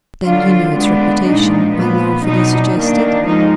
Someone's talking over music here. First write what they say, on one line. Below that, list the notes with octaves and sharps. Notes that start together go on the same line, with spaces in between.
"Then you know its reputation," I laughingly suggested.
D3 F#3 D4 F4
D3 G#3 B3 D4
A#2 F3 G#3 D4 D#4
A#2 F3 B3
B2 F#3 D4 D#4
D#3 A#3 D4
F3 G#3 D#4